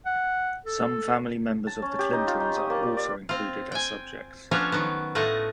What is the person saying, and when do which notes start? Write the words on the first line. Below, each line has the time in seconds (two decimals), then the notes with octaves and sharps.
Some family members of the Clintons are also included as subjects.
0.06 F#5
0.66 A4
1.67 A5
1.82 C#4
1.99 G4
2.13 D#4
2.27 F4
2.40 D#4
2.57 D#6
2.70 A#3
2.83 D5
2.97 D5
3.29 C4 F4
3.72 G5 G#5
4.51 F3 B3 C#4 D4 F4 C#5
4.72 D#3 F#3 B3
5.15 A2 A3 F4 D#5 F#5